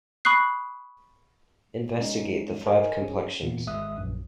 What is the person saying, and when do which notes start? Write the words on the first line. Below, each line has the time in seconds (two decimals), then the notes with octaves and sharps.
Investigate the five complexions.
0.25 B5 C#6 D#6 F#6 C7
1.98 G#3 C#4 D#4
2.66 A#4 C5 D#5 G#5
3.02 C#4 G#4
3.43 E2 A#2
3.67 G#1 G#3 E5 D#6 F#6
3.97 A#1 F#2